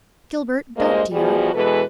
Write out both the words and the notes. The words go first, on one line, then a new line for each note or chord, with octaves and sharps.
Gilbert, don't, dear!
G2 A#2 G#3 A#3 C5 D#5
E2 B2 F3 G3 F#4 G#4
B2 E3 G#3 A4 B4